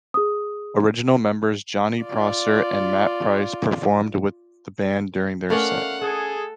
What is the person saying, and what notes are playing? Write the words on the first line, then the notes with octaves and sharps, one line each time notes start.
Original members Jonny Prosser and Matt Price performed with the band during their set.
G#4 D#6
F4 D5
A3 C#4 A#4 B4 D5 F5 F#5
G#4 A4 F#5